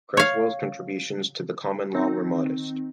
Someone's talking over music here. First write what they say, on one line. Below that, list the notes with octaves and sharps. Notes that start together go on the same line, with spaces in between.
Cresswell's contributions to the common law were modest.
C#5 F5
D#3 C4 D#4